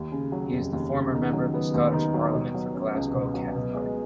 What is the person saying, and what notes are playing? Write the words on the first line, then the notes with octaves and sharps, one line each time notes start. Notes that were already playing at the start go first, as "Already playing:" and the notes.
He is the former Member of the Scottish Parliament for Glasgow Cathcart.
Already playing: D#2
C#3
F#3
F1
D#2
C#3
D#3
F#3
B3
D#2
D#3
F#3
B2
F#3
C#4
C#2
B2
F#3
B2
G#3